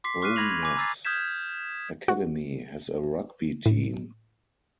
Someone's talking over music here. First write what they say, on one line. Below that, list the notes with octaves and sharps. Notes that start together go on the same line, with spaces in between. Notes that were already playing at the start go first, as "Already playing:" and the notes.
Bo'ness Academy has a rugby team.
C6 D6 B6 C7
C#6 D6 F6 F#6 C7 D#7
B5 G#6 A#6 C7 F7 F#7
G#6
G#5 D6
A#5 E6 A6 C7
D#6 F6 G6 G#6 B6 E7
F#4
A2